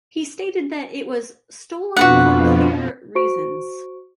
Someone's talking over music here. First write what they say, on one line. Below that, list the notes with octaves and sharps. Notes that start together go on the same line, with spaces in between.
He stated that it was "stolen for clear reasons".
F2 B2 F3 D4 F#4 B4 F#5
F#4 C5 C#6 D7